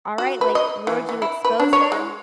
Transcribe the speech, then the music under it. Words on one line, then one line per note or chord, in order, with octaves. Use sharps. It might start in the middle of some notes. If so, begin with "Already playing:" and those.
All right, like, "Lord, you expose them,
F#4
B4
D#5
E3
E3
E4
B4
D4
C#5
G#3